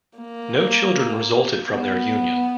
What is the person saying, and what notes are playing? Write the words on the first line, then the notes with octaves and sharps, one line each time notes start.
No children resulted from their union.
A#3
B3